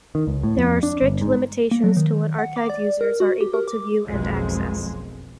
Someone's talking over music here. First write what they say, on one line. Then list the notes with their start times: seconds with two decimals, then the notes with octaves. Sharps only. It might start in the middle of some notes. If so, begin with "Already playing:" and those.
There are strict limitations to what archive users are able to view and access.
0.15 D#3
0.27 C#2
0.43 A2
0.58 F2
0.83 D4
1.02 G1
1.21 G#2
1.71 A#3
1.84 F#3
1.97 D#3
2.38 F#5
2.56 D6
2.70 D5
3.01 A#4
3.20 F#4
3.41 G4
3.54 A#4
3.68 D6
4.06 F#1 B1 F2 G#3